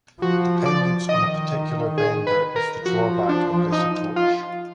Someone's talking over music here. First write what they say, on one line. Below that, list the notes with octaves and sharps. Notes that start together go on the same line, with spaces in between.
Dependence on a particular vendor is the drawback of this approach.
F3 F#4
D5
D#3 D#5
G#4
B4
A#4
F3 F#4
D4
D#4
F4